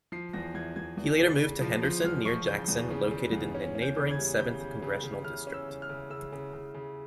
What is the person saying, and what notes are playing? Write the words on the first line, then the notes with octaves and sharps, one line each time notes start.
He later moved to Henderson, near Jackson, located in the neighboring Seventh Congressional District.
F3 C7
E2 A#6
E2 G#6
E2 G#6
E2
C#3
C#3
F3
F3 G6
E2 F6
F3 C#6
C#3 G6
E2
C#3
C#3
E2
C#4
C#4
G6
C#3
G#6
G3
C#3 G6
C#3
C#3
C#3
C#3 F6
C#4
E6
C#3
F6
C#3
C#3 E6
C#3
C#3
C#3